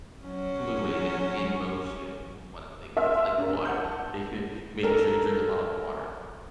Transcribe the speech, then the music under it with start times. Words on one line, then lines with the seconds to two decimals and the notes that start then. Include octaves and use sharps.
fluid and in motion. One of the things is, like water. Taking in making sure you drink a lot of water.
0.23 F#3 C#4
2.97 E5 C6 E6 F6
3.38 D4 A#4
3.65 F#5 G6
3.84 A5
4.83 A4 A#4